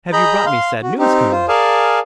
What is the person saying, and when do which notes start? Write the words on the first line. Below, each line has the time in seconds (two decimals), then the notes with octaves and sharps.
"Have you brought me sad news, Colonel?"
0.13 G#4 D#5 A#5 B5 G6
0.46 F5 C6
0.83 F#4
0.98 C4 D#4 G4
1.32 F4 C5
1.48 G#4 A#4 D5 F5 G#5 A5